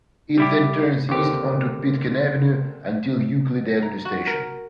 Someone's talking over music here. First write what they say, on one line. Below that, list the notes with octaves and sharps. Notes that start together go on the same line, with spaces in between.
It then turns east onto Pitkin Avenue until Euclid Avenue station.
G3 E4 G4
D#2 D3 C4 G4 A#4
A#5
F#4
A#4